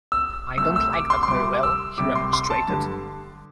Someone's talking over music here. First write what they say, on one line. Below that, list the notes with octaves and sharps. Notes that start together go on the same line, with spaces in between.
"I don't like that very well," he remonstrated.
E6
C2 C3 A3 E6
E6
D6
C6
C6
C2 C3 G3 D6
E6
C2 C3 G3 D6
C6
C6
A5
G2 D3 G3